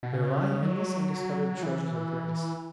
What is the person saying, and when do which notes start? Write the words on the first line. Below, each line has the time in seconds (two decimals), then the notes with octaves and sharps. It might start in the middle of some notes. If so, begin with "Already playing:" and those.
There lie endless undiscovered treasures of grace.
0.03 B2
0.13 C#3
0.63 F#3
1.57 F#3
1.63 E3